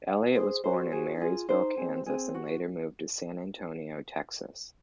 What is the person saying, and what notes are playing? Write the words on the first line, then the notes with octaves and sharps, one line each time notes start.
Elliott was born in Marysville, Kansas, and later moved to San Antonio, Texas.
F#5
G#4 C5
F#4 C5
F#4 G#4
D#4
F4 G#4
D#4 C5
C4 G#4
C4 G#4
F#4